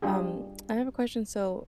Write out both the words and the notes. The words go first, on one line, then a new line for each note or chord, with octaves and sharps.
Um, I have a question. So,
G3 D4 F4 G4 G#4